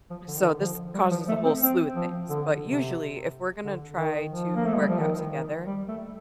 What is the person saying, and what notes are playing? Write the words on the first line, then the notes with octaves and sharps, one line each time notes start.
so, this causes a whole slew of things, but usually, if we're gonna try to work out together,
F3
D3
D#3
D3
F3
G3
F3
A3
C4
C4
F3
D3
C3
D3
D#3
F3
A#3
A3
G3
F3
D#3
D#3
G3
A3